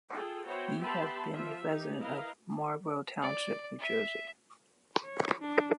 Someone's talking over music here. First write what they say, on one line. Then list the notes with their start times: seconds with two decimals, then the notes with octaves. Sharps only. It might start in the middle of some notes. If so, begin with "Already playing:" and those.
He has been a resident of Marlboro Township, New Jersey.
0.13 F4 G#4 A4 G5
0.46 B3 E4 F#4 C5 C#5 G5
0.79 B3 G4 E5 A5 B5 C6
1.33 F3 F4 E5
1.64 D#4 G4
2.00 E4 A#4 B4 D#5 F5
3.22 D5
3.79 E5
5.05 C#5
5.40 D4